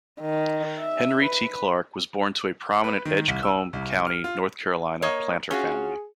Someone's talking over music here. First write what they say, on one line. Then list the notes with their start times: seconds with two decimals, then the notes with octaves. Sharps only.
Henry T. Clark was born to a prominent Edgecombe County, North Carolina, planter family.
0.21 D#3
0.79 E5
1.23 B4
2.84 B4
3.05 D#3
3.28 C2
3.43 E6
3.73 C2
4.07 F6
4.24 F4
5.02 A#3 C#5 D#5
5.51 C#4 F4 F#4 G#4